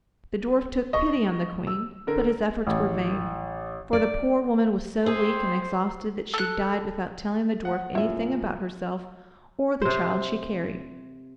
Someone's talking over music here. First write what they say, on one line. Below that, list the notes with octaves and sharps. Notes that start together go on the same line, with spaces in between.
The dwarf took pity on the Queen, but his efforts were vain, for the poor woman was so weak and exhausted that she died without telling the dwarf anything about herself or the child she carried.
D#5 C#6
E6
D3 A#4
A1
D5
C4 G#4 C5
A4 F#6
F#5
F#2 A#2 E4 E5
C3 C5